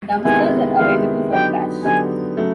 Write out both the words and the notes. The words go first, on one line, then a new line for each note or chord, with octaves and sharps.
Dumpsters are available for trash.
C3 D#3 G#3 B3 E4 G#5
C3 D#3 G#3 B3 E4 F5
D3 F#3 B3 D#4 G4 G5
D3 F#3 B3 D#4 G4 G#5
C#3 F#3 A3